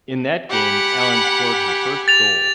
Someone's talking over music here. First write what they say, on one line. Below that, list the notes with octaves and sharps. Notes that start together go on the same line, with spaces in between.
In that game Allan scored her first goal.
G4 F#5 G#5 B5
A6 F7